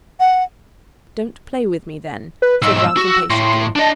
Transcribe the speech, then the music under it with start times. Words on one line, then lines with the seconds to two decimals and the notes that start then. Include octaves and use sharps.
'Don't play with me then,' said Ralph impatiently.
0.20 F#5
2.42 B4
2.62 B1 G#2 E6
2.97 F#4
3.30 A2 C6
3.76 D4 D#5 A5